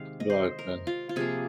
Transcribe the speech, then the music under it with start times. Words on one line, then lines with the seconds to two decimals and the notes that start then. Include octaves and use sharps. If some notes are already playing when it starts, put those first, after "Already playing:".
but, uh
Already playing: C3 D#3 G#3 F5
0.20 D#5
0.30 C5
0.59 A#4
0.87 F4
1.09 F4
1.16 C3 F3 A#3 G#4